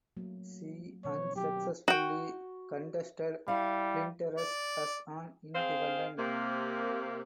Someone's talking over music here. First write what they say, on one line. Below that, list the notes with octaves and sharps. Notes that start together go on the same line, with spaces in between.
She unsuccessfully contested Flinders as an independent.
F#3 A3 A#3
B2 D#3 C4 C#5
F#3 G4
F#4 G5
G3 E4 F5
D5
C4 G#4 C5 F5
C3 A#3